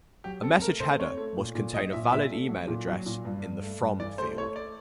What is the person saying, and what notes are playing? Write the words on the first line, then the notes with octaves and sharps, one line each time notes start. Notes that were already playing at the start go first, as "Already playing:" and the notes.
A message header must contain a valid email address in the From field.
F#3 G4
C4 A4
A3 A#4
A3 C5
C4 C#5
A3
A#2
A#2
F#3 D#5
A#2 E5
A#2 E5
A3
F#3
A#2
F#3
A#2
G2
G2
A3
G2
E3 D5
A3 C5
A3 C#5
A3 D5